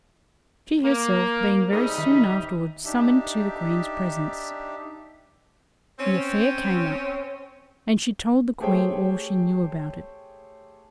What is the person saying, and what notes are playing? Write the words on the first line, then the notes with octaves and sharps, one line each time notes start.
She herself being very soon afterwards summoned to the Queen's presence, the affair came up, and she told the Queen all she knew about it.
A#3
C3 G3 D#4 G#4 C5
D#3 E5 B6
D4 D#4 G4 E5
C4 C#4
A3 G4 G#4 C5 C#5 G5